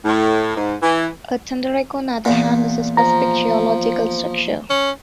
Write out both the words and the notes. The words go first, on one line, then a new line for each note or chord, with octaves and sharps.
A thunderegg on the other hand is a specific geological structure.
A2
G#2
E3
E2 A#2
F3 A#5
C#4